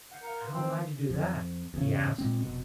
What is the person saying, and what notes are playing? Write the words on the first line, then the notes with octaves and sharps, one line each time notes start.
'How am I to do that?' he asked.
F#5 G6 C7
A#4 F5 C#7
B4 C6
D#3 C4 C5
A3
F2
E2 C#3
A#2 G#3 C4
F1 B2